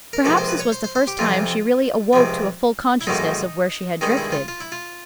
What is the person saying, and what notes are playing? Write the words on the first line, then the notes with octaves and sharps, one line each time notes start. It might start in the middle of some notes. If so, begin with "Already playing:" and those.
Perhaps this was the first time she really awoke to a full consciousness of where she had drifted.
A#4
C#2 C3 F3 A#3 A4
C5
B4
C#5
C5
C5
C5
G4
F2 C3 E3 F4
C#2 C3 F3
E4
A1 G#2 D#3 F#3 A#3 D#4
G2 D#3 G#3 D#4
E4
F4
F4
E4
F4